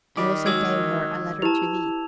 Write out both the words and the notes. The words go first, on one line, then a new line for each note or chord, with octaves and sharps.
I also gave her a letter to thee.
D#3 G3 F4 D6
F#3 G#3 A#4 D6 E6 G#6
E4 G4 B4 A5 F7